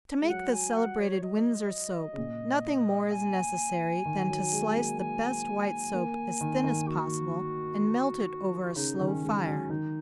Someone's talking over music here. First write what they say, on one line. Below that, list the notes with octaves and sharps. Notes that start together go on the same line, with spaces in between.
To make the celebrated Windsor soap, nothing more is necessary than to slice the best white soap as thin as possible, and melt it over a slow fire.
G#3
F#3 F#5
G#5
F#5
C#5
D#5
C#3
A#2
G#5
D#3
F#3
G#3
A#3
G#5
A#3
D#3
D#3
F#4
C#3 D#4
D#3
C#4
G#3
C#4
F#3
D#3 D#4